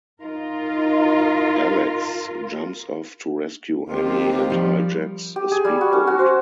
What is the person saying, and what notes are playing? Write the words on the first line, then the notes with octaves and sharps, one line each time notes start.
Alex jumps off to rescue Annie and hijacks a speed boat.
D#4 F4 A#4
D#2 C4 F4 G4
F3 G3
G4
G#4
G3
F#4
C#4
F#4
C5